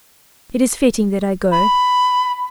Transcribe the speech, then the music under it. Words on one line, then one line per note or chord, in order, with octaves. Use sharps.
It is fitting that I go.
B5